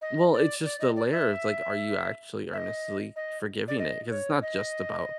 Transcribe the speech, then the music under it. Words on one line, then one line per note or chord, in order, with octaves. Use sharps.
Well, it's just the layer, It's like, are you actually earnestly forgiving it? 'Cause it's not just about,
D#5
D5
D5
D#5
D5
E5
E5
D#5
D#5
D5
D#5
C#5
D#5